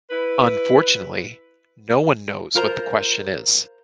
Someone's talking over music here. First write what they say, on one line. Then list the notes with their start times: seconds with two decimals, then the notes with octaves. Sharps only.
Unfortunately, no one knows what the question is.
0.10 E4 B4
2.55 F4 A#4 C5 A#5